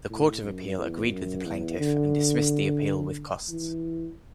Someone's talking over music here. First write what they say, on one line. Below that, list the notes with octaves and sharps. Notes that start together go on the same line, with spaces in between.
The Court of Appeal agreed with the plaintiff and dismissed the appeal with costs.
A2
F#2
E2
F#2
E2
D3
E3